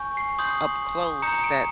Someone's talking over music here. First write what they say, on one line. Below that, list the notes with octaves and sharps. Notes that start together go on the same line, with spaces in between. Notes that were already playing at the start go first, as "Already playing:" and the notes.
up close that
Already playing: G#5 C#6 G6
C7
C6 D#6 G6
A#5 D#6 G6 C#7
D7